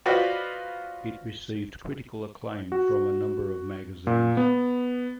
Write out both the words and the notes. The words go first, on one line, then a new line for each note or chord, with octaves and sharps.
It received critical acclaim from a number of magazines.
F4 F#4 B4 C5 D5 D#5
F#4
A#2
B3